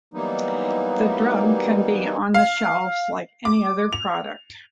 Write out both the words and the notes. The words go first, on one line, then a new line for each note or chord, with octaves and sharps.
The drug can be on the shelves like any other product.
E3 F#3 G3 A#3 B3 D#4
F5
D6
F7